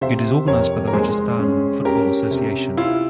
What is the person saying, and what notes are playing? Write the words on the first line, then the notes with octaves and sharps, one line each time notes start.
It is organised by the Rajasthan Football Association.
C3 C5 E5
F2 A#4 C#5
A#4
G#3 G#4 C5
C#4
C#4 G4 A#4
C3
E4 F4